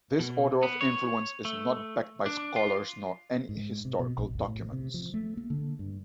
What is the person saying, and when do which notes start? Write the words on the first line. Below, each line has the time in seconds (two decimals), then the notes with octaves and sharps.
This order of influence is not backed by scholars, nor any historical documents.
0.19 B2
0.63 B3
0.81 C#5
1.45 A3
2.26 D4
2.56 F4
3.49 G#2
3.85 C3
3.99 B2
4.18 A#1
4.33 F1
4.48 A2
4.72 C3
4.94 F3
5.14 A3
5.37 A#3
5.50 D3
5.79 G2